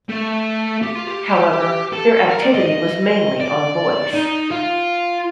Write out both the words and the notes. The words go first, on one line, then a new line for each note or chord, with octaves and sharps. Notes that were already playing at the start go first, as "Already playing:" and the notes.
However, their activity was mainly on voice.
A3
G4
F4
G4
A4
A#4
D5
D#5
D#5
D5
D#4
F4